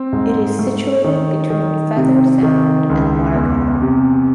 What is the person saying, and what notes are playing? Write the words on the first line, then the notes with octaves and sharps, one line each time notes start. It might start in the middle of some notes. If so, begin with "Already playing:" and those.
It is situated between Feather Sound and Largo.
Already playing: C4
G#2
A3
D#3
D#3
C3
D#3
C#2
E2
C3